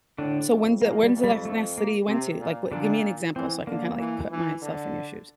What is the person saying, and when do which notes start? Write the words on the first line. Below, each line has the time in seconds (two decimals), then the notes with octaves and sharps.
So, when's the when's the last last city you went to? Like, wh give me an example so I can kinda like put myself in your shoes.
0.18 A2 D3 D4
0.50 F2
0.82 E2 A#3
1.03 G3
1.14 F2
1.24 G3
1.45 A3
1.78 A#3
2.08 C3 C4
2.40 A#2
2.72 A#2 D3 D4
3.36 E3 C4
3.67 D3 A#3
3.99 E3
4.31 E3
4.62 D3